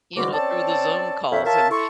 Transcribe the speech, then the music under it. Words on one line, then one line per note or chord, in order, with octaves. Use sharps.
you know, through the Zoom calls and
C#2 G#2 D3 G3 F#4 D6
C4 C#4 A4 D5 A5
F2 D3 C#5 E5
F4 A#4 C#5 E5 A5
E4 A4 A5 C6 C#6